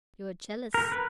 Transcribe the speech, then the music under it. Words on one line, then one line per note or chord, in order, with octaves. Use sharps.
You are jealous.
A#4
B4